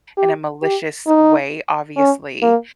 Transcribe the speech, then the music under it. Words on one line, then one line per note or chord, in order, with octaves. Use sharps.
in a malicious way, obviously."
G4
G4
D#4
C#4
A#3